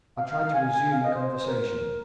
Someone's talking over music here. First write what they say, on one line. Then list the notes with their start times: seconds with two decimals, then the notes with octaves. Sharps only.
I tried to resume the conversation.
0.17 F5
0.29 F5
0.41 F5
0.53 G#5
0.72 G#5
0.90 F5
1.03 D#5
1.15 C5
1.27 C5
1.46 A#4